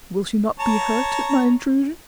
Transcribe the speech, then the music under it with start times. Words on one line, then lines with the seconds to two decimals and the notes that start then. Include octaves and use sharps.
"Will she not be hurt at my intrusion?"
0.60 C#5 A5 A#5